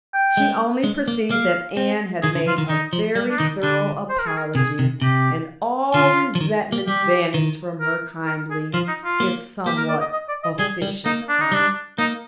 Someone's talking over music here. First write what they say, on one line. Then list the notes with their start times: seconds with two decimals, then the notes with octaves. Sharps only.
She only perceived that Anne had made a very thorough apology and all resentment vanished from her kindly, if somewhat officious, heart.
0.14 G5
0.37 G#3
0.84 G#3
1.08 A#3
1.31 A#3 F5
1.77 C4
2.23 D#3 G#4
2.35 D3
2.46 F3 F4
2.58 D#3
2.69 D#3 D#4
2.93 F3
3.15 G3
3.30 D4
3.39 D#3 D#4
3.63 D3 D4
4.09 C5
4.19 A#4
4.27 G#4
4.37 A#4
4.55 C3 G#4
4.79 C3
5.02 C3 G4
5.94 D3 F4
6.35 F3
6.40 D#3
6.72 A#3
6.88 G3 G4
7.34 D#3
7.81 A#4
8.26 A#4
8.50 G#4
8.74 F3 F4
8.88 D#4
9.05 F4
9.20 A#3
9.66 A#3 G4
9.77 A#4
9.89 D5
10.00 D#5
10.13 D#5
10.28 D5
10.43 D#5
10.59 G3 G#4
10.82 G3
11.05 A#3 D#4
11.29 D4
11.41 D#4
11.52 G3 D4
11.98 A#3 D#4